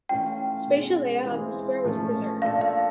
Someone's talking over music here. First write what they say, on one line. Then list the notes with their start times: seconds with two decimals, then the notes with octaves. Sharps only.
Spatial layout of the square was preserved.
0.09 E3 A3 C#4 F4 G5
0.68 B2 G#3 C#4
1.26 E3 G#3 C4 F4 G#4
1.84 A#2 F3 A3 C#4
2.42 A#3 D4 F4 A4 F5
2.61 F5